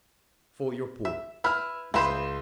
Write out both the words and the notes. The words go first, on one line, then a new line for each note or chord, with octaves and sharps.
"For your poor," he said.
E5
E4 B4 E6 F6
C#2 E4 B4 C5 C6 E7